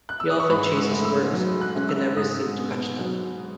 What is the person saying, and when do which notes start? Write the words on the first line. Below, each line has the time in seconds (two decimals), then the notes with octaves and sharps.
He often chases worms, but can never seem to catch them.
0.09 F#6
0.20 E6
0.30 D#6
0.40 C#6
0.50 G#2 B5
0.77 E6
0.91 A3
1.05 E6
1.33 F#3
1.61 F#6
1.75 C#4
1.89 E6
2.16 G#2 D#6
2.58 B3
2.99 F#3